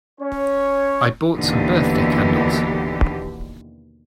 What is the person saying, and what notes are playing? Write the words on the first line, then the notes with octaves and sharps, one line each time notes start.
I bought some birthday candles.
C#4 C#5
D#2 B2 D3 E3 G4